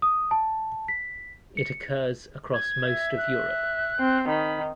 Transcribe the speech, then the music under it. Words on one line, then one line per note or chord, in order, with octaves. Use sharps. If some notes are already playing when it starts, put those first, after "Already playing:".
It occurs across most of Europe.
D#6
A5
B6
C#7
G#6
E5
F#6
C4
D#3 B5